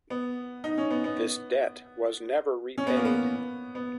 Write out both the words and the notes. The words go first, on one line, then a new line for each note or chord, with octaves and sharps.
This debt was never repaid.
B3
D#4
C#4
B3
B3
C#4
B3
A#3
B3
B3